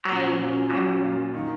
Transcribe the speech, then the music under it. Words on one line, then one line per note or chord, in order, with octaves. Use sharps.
I I'm
A#2 C#4
F#3 A#3 F4
A#2
F#3 A#3 F4
D#3 D#4